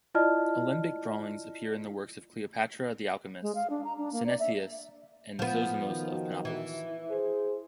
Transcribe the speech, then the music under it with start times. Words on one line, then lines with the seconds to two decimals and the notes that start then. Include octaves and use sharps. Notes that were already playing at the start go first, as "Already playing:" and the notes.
Alembic drawings appear in works of Cleopatra the Alchemist, Synesius, and Zosimos of Panopolis.
0.15 E4 F4 D5 D#5 A5 F6
3.42 G#3
3.55 F5
3.70 D4
3.84 A#5
3.98 D4
4.13 A#3
4.26 D5
4.40 E5
5.39 F3 B3
5.89 D#3 F#4
6.45 E3
7.09 G#4 C5